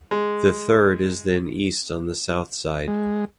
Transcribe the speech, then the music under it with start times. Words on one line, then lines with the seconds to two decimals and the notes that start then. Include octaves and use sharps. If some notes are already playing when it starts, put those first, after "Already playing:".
The third is then east on the south side.
0.11 G#3
2.88 G#3